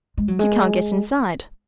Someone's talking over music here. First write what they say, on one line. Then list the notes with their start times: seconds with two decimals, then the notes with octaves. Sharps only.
"You can't get inside."
0.18 G#3
0.28 F#3
0.39 G#3